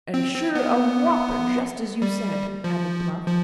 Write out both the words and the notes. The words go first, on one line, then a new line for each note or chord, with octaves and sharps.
"And sure a whopper, just as you said!" added Bluff.
C4
C4
B3
G3
F3
F3